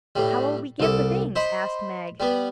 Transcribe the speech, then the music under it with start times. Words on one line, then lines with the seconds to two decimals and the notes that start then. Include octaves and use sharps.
"How will we give the things?" asked Meg.
0.16 A2 G3
0.80 C2 A4 D6
1.36 C5 D#5 B5
2.20 G3 B3